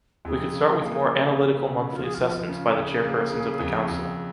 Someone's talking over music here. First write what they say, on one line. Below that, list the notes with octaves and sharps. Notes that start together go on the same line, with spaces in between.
We could start with more analytical monthly assessments by the chairpersons of the Council.
F2 G#4
C#3
A#3
C#3
C#3
C#3
F3 F4
G#4
F4
F3
C#3
C#3 G#4
A#3
C#3
F2
F2